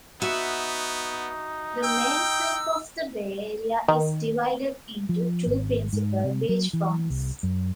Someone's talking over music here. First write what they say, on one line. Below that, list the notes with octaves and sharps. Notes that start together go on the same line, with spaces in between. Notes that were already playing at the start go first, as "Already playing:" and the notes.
The main sweep of the bay area is divided into two principal beachfronts.
B3 D#4 F#4 E5
G5 E6
D#3
F3
G#1
G#2
C3
F#3
E3
C2
F#2